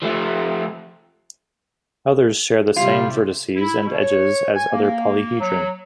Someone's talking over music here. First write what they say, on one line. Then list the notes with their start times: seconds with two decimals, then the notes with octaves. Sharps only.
Others share the same vertices and edges as other polyhedron.
0.02 F3 A3
2.76 C3 G3 E4 F4
3.56 E4
3.86 B2
4.00 C#5
4.55 G#5
4.72 A#3
5.40 F#3